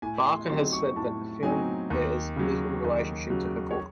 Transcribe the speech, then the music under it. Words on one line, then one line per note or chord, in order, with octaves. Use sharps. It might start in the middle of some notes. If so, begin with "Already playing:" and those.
Barker has said that the film bears little relationship to her book.
A2 G#5
C6
F#3 C4 D#4 C6
C#6
A2 A5
F#3 C4 D#4 G#5
D#2
C#3 F#3
D#2
C#3 F#3
C#5